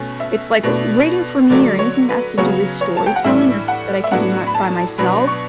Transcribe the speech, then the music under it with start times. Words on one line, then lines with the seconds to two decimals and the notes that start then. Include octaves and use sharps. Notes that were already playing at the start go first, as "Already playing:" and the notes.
it's, like, reading for me or anything that has to do with storytelling or things that I can do my by myself
Already playing: B2 A3 C#4
0.20 E5
0.63 B2 A3 D4
1.50 D3 F#3 A3 D4 D5
1.79 C#5
2.09 B4
2.38 C#3 F#3 B3 C#5
2.81 C#5
2.97 A5
3.06 G5
3.16 F#5
3.24 A2 E3 G3 D4 E5
3.68 F#5
4.04 E5
4.11 A2 F#3 B3 D4 F#5
4.47 B5
4.55 A5
4.98 B2 F#3 B3 D4 B5
5.27 C#6